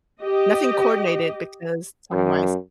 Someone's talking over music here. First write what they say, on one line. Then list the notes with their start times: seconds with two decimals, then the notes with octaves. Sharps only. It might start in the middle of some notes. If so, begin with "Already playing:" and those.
nothing coordinated because timewise
0.22 G4 D#5
2.12 F#2